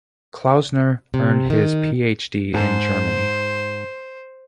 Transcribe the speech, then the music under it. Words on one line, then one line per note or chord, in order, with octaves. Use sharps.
Klausner earned his Ph.D. in Germany.
C3
D#3
G#2 C5 A5